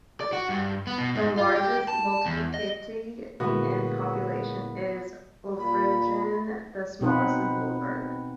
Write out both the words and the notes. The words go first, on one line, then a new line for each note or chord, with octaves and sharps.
The largest municipality in population is Oftringen, the smallest is Wiliberg.
D5
F#4
G2
B3
B2
G#2
F4
G4
A5
E2
D#5
A#2 D3 G#3 A#3 B3 E4 F#4 B4
A#2 B5
B2 C4 D#4 B4 F#5